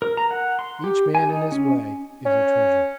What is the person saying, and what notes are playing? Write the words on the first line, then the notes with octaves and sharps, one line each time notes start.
Each man in his way is a treasure.
A#4
A#5
F#5
C6
G4
G#5
D#4
C#4
C#4